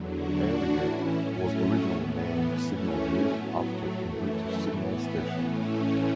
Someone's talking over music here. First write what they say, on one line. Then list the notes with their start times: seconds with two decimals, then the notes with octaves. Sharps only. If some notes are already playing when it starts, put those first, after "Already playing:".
The area was originally named Signal Hill after a British signal station.
Already playing: E2 D3 F#3
0.13 D4 F#4
0.48 A2 E3
0.83 C#4 E4
1.18 A2 F#3 A3 C#4
1.88 A2 E3 B3
2.58 F#2 E3 A3 C#4
3.28 A2 F#3 B3
3.64 A3
3.98 F#2 E3 A3
4.69 A2 E3 B3
5.38 A2 E3 A3 C#4